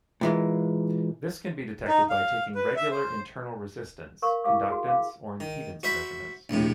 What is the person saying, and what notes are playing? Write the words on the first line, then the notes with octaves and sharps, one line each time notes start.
This can be detected by taking regular internal resistance, conductance or impedance measurements.
A#2 E3 G#3
D#4
F5
B4
E5
C5
A#4 F5 C#6
E4 G4 F5 D6
F#4 G#4
F5 D6
D#3
F#4 C5 E5 B5
A#1 D#2 A2 C3